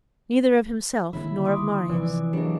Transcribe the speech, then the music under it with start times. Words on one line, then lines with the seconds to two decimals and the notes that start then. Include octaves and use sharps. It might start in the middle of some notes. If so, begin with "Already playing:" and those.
Neither of himself nor of Marius.
1.13 D3 D#3 G#3 A#3 E4
1.44 C6 D6 D#6
1.89 C3 E3 F3 D5 D6
2.33 F#3 A#3 D4 G4 G#4 D#5